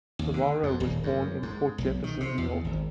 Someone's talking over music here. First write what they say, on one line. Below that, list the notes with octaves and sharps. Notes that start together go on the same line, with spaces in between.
Ferraro was born in Port Jefferson, New York.
D#2
D3
F2
D#1
F#2
G#2
B1
D#3
C3
E2
G#1